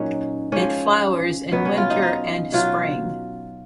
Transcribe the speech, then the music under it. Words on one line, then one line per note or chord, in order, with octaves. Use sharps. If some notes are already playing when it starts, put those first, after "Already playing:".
It flowers in winter and spring.
Already playing: A#2 F#3 C#4 D#4
G#2 F3 C#4
B2 F#3 B3
C#4
F4
D#4
D#4
B2 F#3 F4